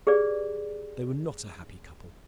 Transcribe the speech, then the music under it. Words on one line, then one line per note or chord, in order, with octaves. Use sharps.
They were not a happy couple.
G4 G#4 B4 D5